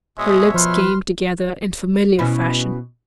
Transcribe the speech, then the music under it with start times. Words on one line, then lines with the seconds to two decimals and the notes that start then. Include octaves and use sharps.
Her lips came together in familiar fashion.
0.18 B2 G#3 C#5 E5 D#6
0.54 F3 B4 C6 F6
2.19 B2 C#4 E4